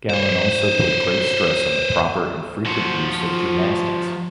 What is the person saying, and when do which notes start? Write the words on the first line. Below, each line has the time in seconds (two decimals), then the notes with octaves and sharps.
Galen also put great stress on the proper and frequent use of gymnastics.
0.10 C5 C#5
2.67 F3 F#4